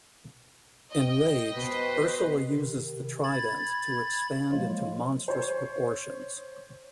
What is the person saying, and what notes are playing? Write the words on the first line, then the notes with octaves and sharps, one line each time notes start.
Enraged, Ursula uses the trident to expand into monstrous proportions.
D#5 G5
B2 B4 C5
C3 D#3
B5 G#6 A6
F3 F#3 G#3 A#3 F4
C5 C#5